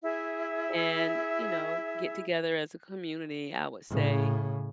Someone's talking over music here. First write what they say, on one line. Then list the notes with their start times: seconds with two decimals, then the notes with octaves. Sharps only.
and, you know, get together as a community, I would say
0.03 E4 G#4 E5
3.89 A2 C#3